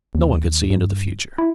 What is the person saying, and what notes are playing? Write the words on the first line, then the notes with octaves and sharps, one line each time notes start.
No one could see into the future.
D#2
G2
E4